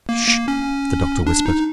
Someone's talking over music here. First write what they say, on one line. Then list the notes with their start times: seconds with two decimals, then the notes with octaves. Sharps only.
"Sh!" the Doctor whispered.
0.09 A#3
0.28 A#3
0.48 C#4
1.27 D4
1.46 D#4